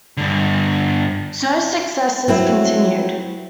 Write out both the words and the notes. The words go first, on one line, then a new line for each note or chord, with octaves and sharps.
Zuo's successes continued.
G2 D3
F#3 C4 E4